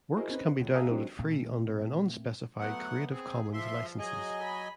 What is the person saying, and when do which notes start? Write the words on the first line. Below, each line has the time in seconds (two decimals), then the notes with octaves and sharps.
Works can be downloaded free under an unspecified Creative Commons licenses.
0.16 E4 F#4 G#4 A#4 C5 D#5
0.29 C4 C#4 D#4 B4
0.60 C#2
0.74 E5 F5 G#5 A#5 D#6 E6
0.88 F#3 G#3 C4 D4 D#4 G4
1.19 A#2 A3 C4
2.60 F#3 A3 B3 F#5
3.11 C4 G#4
3.53 F3 E5 C6
3.99 F#3 G#4 D#5 G#5
4.44 B5